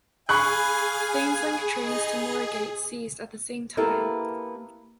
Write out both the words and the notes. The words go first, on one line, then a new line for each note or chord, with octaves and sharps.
Thameslink trains to Moorgate ceased at the same time.
G#4 F5 G#5 B5 C#6 F#6
D#4 D#5
A#3 B3 E4 G4 A4